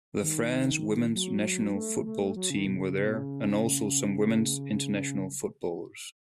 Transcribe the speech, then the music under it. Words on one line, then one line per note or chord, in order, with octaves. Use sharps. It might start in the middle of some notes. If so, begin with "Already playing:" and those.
The France women's national football team were there and also some women's international footballers.
D#3
F#3
A3
A3
F#3
C#3
D#3
B2
C#3
C#3
B2
C#3